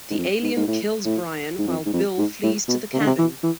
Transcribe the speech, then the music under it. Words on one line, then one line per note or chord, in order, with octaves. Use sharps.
The alien kills Brian while Bill flees to the cabin.
G#2
F2
G#2
G#2
A2
A2
G#2
F2
G#2
F2
G#2
A2
B2
C3
D3
C3
E3
E3